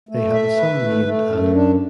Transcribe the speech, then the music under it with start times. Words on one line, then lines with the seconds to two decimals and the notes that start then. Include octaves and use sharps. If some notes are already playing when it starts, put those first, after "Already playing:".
They have a son named Adam.
0.09 A3
0.33 E5
0.56 B4
0.81 A3
1.05 A3
1.28 F#2
1.53 D4